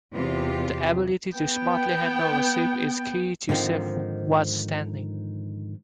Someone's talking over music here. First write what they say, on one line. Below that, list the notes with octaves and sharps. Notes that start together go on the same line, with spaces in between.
The ability to smartly handle a ship is key to safe watchstanding.
E2 C3 F4 G4
B3 G5
G#2 D3 D#3 F3 C4